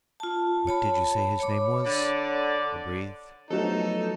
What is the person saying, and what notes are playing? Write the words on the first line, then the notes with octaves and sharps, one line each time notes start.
"What did you say his name was?" I breathed.
F4 A5
C#5 A5 B5
C#5 B5 D6
D3 D5
F3 F#3 A3 B3 D#4 F#4 A4